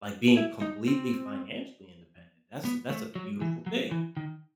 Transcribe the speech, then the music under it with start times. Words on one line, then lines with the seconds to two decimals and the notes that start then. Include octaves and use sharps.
like, being completely financially independent, that's that's a beautiful thing,
0.37 E4
0.62 D#4
0.88 C4
2.65 B3
2.90 A3
3.15 F#3
3.41 E3
3.66 F#3
3.91 E3
4.17 D#3